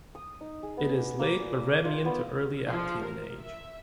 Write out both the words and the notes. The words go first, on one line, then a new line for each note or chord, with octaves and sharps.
It is late Barremian to early Aptian in age.
D#6
D#4
G#4
B3
D6
A#3
D5
F4
B3
F3
A#4
E5